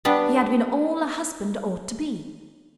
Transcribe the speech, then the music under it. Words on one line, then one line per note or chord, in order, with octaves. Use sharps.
He had been all a husband ought to be.
G3 B3 D4